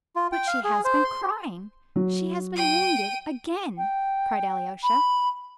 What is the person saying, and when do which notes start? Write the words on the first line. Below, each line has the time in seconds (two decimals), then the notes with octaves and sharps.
"But she has been crying--she has been wounded again," cried Alyosha.
0.16 F4
0.32 G5
0.48 F5
0.64 G#4
0.85 C5
1.04 C6
1.96 F#3
2.56 G5 D#7
3.78 G5
4.83 B5